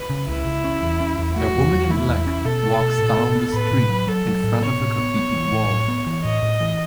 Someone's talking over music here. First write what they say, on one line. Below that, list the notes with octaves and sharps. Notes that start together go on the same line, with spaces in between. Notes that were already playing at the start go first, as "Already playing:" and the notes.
A woman in black walks down the street in front of a graffited wall.
Already playing: B4
C#3
C#2 E4
C#2
C#4
E2
C#4
E2
A3 F#4
E2
E2
A3 E4
E2
C#4
B2 A4
A3
B2
A2
B3
B3
A2 B4
A2
F#3
F#3 A4
F#3
A2
B3 C#5
A2
B3
B3
E3
A2
A2
B3
E3
A2 D#5
A2
E3